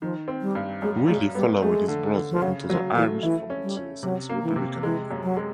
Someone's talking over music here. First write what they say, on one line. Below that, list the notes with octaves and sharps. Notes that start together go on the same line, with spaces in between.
Willie followed his brother into the Irish Volunteers and the Republican movement.
D#3 F3
C4
G3
G2
F#2 G#3
F#2 G#3
G3 B3
G#3 A3
D3
D3
F3
C#3 F#3
F3 F#3
E3 A3
E3 E4
C#4
G3
C#4
C3 F#3
A#3
E3
C3
E3 G#3
F#2
F#3
G#3